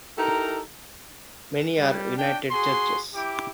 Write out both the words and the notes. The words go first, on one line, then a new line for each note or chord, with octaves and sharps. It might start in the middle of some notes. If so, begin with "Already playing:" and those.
Many are united churches.
D#4 E4 G4 A4 A#4
G3
D4 G5
F#4 G#4 C6
E4 G4 G5 D6